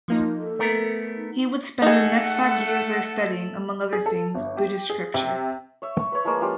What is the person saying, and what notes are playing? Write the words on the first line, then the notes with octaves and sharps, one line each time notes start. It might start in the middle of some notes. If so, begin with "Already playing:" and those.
He would spend the next five years there studying, among other things, Buddhist scripture.
F3 A#3 D#4
A4
A3 B3 A#4
D#4
D#4
A3 D#4 G#4 A4 F#5
G#4
A4
G1
G4
G#4
C3
C#5 E5
C#6
B4 C#5
F3 G#3 A#3 D5
F3 C#4 F4 G4